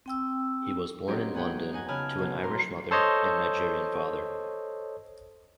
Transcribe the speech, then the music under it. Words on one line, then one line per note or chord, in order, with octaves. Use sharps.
He was born in London to an Irish mother and Nigerian father.
C4 G5 E6
F#3 C4 C#4 D#4 G4
B3 C#4 G#4 F#5 G5 B5
D#4 F#5 G#5
C#3 G#5 A5 B5 F6 F#6
B2 F#3
A#4 C6
A4 C5 C#5 D#5